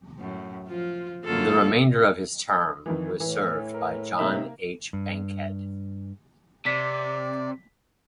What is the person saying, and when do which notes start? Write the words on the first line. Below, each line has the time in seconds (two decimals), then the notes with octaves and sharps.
The remainder of his term was served by John H. Bankhead.
0.19 F#2 A2
0.68 F3 F4
1.25 F#2 D3 A#3 F4 A4
2.86 F2 D#3 E3
3.20 A2 E3
3.74 A#4
4.19 C3 A#3 D#4 E5
4.93 G2
6.66 C3 D5 B6